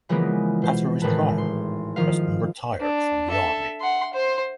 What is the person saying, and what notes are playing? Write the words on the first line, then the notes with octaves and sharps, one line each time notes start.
After his trial, Preston retired from the army.
C#3 E3 F3 G#3 A#3 B3
B2 C5
G#1 A2 C#3 B4 A5
C6
D#3 F3 F5
D4
A4 E5
F#5 C6
C5 C6